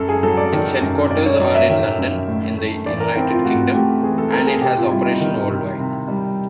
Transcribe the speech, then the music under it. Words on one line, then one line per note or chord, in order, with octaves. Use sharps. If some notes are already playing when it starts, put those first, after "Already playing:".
Its headquarters are in London in the United Kingdom and it has operations worldwide.
Already playing: F#2 A4
G#4
F#3 A4
D5
D#3
F#2
F#2 D5
C#5
F#3 D5
E5
D#3
F#2
A2
A3
E3 D5
A#4
C4 E4
F4
A2 F#4
A3 G4
E3 G#4
A4
C4 A#4
G#4
C3 G4
F4
G3 E4
D#4
D#3
C3
C3
G3